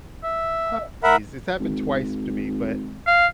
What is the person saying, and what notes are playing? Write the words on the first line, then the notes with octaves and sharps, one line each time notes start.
"Oh, jeez," it's happened twice to me, but
E5
A#4 E5 F#5 B5
G#1
F5